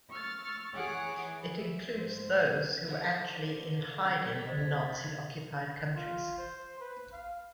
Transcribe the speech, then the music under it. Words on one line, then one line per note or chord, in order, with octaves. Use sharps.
It includes those who were actually in hiding in Nazi-occupied countries.
C#6 E6 F6 A6
E3 G#4 C#5 F#5 D6
E3
E5
G#2 C5
D3 E4 C5 F#5
G3 C#4 G#6
A6 B6
C5 D#5
F4
C5
B4
F5